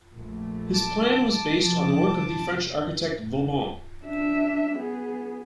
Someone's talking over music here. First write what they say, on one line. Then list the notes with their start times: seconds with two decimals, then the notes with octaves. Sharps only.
His plan was based on the work of the French architect Vauban.
0.17 A#1 A3
0.74 A5 D6
1.52 C3 F3
2.29 C3
4.05 D4 E5
4.76 B3 G#4